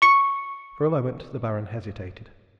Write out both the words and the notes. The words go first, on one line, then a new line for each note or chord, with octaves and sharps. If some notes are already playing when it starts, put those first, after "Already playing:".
For a moment the Baron hesitated.
C#6 C#7